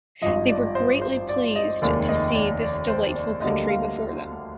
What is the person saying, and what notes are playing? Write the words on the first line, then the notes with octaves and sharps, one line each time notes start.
They were greatly pleased to see this delightful country before them.
G#1 G2 F3 D#5
D5
C5
C5
D5
D#5
F1 D#2 D#3 G#3 D5
D#5
D5
D5
C5
D5
D2 D3 G3 A#3 D#5
F5